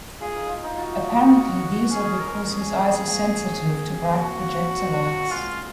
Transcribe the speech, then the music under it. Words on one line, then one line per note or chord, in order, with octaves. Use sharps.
Apparently these are because his eyes are sensitive to bright projector lights.
F4 G#4
D#4
F4
D#4
F4 F#4
C#4 G#4
A#4
C#4 G#4
C#4
C4
A#3
A#3 C4 F#4
F#3
G#3 F4